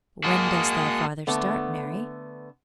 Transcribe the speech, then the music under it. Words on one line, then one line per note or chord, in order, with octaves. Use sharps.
"When does thy father start, Mary?"
G#3 A#3 F#4 A5 D#6
D3 A3 B3